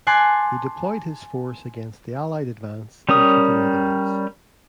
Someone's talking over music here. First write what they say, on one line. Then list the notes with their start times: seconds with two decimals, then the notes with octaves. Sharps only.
He deployed his force against the Allied advance into the Netherlands.
0.07 G#5 A5 C6 D6 F#6 C7
3.09 G3 C#4 A#4 D#6